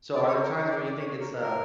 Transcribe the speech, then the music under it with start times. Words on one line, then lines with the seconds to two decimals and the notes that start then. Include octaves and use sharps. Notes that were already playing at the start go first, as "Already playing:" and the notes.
So are there times where you think it's, uh
0.15 D5
0.28 C#5
0.42 A#4
0.56 C#5
0.70 D5
0.85 D5
0.98 C#5
1.21 A#4
1.42 A#4